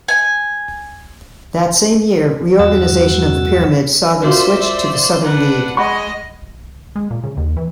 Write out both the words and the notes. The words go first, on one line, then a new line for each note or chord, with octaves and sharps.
That same year re-organisation of the pyramid saw them switched to the Southern League.
G#5
E2 G2 F#4 F#5 E6 A6
F4 F#4 A#4 C5 D5 E5
D4 B4 F#5
G#3 D#5 F#5 B5 C#6
G#3
A#2
C#3
D#2
E3